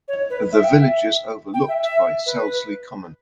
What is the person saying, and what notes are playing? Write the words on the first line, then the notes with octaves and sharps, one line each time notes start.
The village is overlooked by Selsley common.
C#5
B4
E5
G5
E5
G5
E5
E5
B4